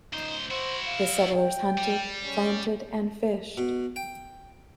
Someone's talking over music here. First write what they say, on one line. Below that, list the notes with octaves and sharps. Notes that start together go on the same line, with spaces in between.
The settlers hunted, planted and fished.
C#2 D#4 C5
E4 F#4 C5
F5
G5
G3
C#4
B2
G5